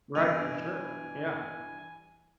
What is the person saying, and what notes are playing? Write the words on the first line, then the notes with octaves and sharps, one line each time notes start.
Right, for sure. Yeah.
G2 B2 E3 G#5 F7